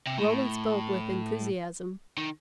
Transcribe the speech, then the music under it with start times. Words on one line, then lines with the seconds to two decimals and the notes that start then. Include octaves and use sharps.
Rollin spoke with enthusiasm.
0.07 C3
0.18 A2
2.17 D#3